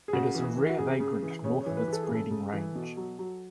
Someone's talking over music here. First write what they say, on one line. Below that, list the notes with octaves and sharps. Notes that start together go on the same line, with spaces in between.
It is a rare vagrant north of its breeding range.
G#4
C#3 F#4
E3
E3
F#4
C#3 G#4
C#3
E3
C#3 C#5
C#5
E3
B4
E3 A4
G#4
C#3 A4
C#3
E3
B2
F#3
F#3